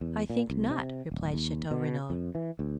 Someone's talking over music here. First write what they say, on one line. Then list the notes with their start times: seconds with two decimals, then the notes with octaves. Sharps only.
"I think not," replied Chateau-Renaud.
0.01 E2
0.30 A#2
0.50 C2
0.70 C3
1.12 D1
1.34 D#2
1.71 B2
2.10 F2
2.35 E3
2.59 D2